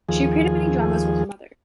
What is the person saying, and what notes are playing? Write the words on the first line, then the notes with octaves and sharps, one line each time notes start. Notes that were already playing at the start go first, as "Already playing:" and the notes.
She appeared in many dramas with her mother.
D#2 F3 G#4